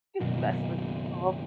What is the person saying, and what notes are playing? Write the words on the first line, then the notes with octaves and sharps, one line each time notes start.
Just mess with people.
F#1 B2 D#3 F#3